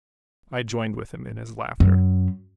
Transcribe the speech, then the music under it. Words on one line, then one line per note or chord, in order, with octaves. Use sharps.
I joined with him in his laughter.
F#2